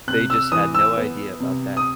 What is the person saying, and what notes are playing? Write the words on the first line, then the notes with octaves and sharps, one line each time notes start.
They just have no idea about that.
C3 F#6
E6
E3 D#6
E6
B3
C3
D#6